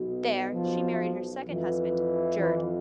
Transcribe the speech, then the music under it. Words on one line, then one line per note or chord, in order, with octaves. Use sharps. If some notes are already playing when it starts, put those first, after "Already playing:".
There she married her second husband, Gerd.
Already playing: B1 B2
F3
F2 E3
E3